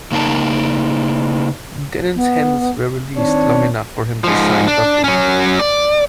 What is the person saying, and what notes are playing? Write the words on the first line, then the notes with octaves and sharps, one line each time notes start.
Dennin's hands were released long enough for him to sign the document.
C#3 A#3 D#4 A#4 A5
B3
D#3 C4 D4 C#5
G#2 F3
D4
F#3 C#4
D5